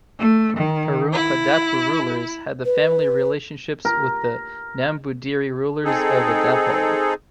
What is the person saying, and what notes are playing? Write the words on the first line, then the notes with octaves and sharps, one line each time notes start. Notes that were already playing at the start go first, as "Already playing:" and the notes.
Perumpadappu rulers had family relationships with the Nambudiri rulers of Edappally.
A3
D#3
E4
B4
A#4
C4 D#4 G#4 A4